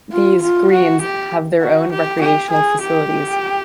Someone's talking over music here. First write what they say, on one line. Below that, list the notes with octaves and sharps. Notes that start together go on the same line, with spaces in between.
These "Greens" have their own recreational facilities.
F4
F4
F#4
G4
F#4
G4
G4
G#4
G4